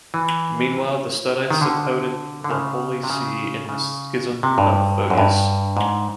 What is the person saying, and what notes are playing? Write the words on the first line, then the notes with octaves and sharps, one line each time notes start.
Meanwhile, the Studites suppoted the Holy See in the scisim of Photius.
E3
D#3
D3
D3
C#3
C3
C#3
C#3
C3
G2
F#2
G2
G#2